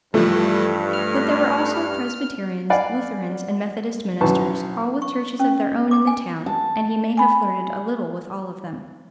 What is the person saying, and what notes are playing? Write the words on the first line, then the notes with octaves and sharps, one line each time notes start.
But there were also Presbyterians, Lutherans, and Methodist ministers, all with churches of their own in the town, and he may have flirted a little with all of them.
G2 E3 F3 G3 A3
F6
D5 F5 F#5 G#5 B5
B1 E3 C#4 A5 C#6
C#6
C#4
D6
G#5
A5
G#5 B5